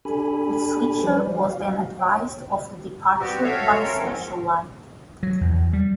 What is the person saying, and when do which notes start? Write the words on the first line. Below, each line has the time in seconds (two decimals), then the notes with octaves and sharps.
The switcher was then advised of the departure by a special light.
0.05 D4 G4 A4 G#5 B5
1.04 F3 G3 B4 C5 D5
1.32 F#4 F5
1.99 C#5 G5
3.19 G3 B3 C4 F#4 G4
3.43 F#4 A4 C#5 E5 F5
3.82 C4 C#4 A4 A#4
3.98 D#3 F3 G#3 C4
5.23 F#3
5.41 E2
5.73 G3